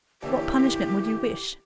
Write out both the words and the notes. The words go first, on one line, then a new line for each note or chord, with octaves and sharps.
"What punishment would you wish?"
D#2 D3 E3 G4